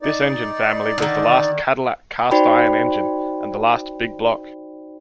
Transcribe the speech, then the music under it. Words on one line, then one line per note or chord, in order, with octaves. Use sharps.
This engine family was the last Cadillac cast-iron engine, and the last 'big-block'.
D#4 D5
D3 D#3
D#4 F#4 C5 D5 G5 B5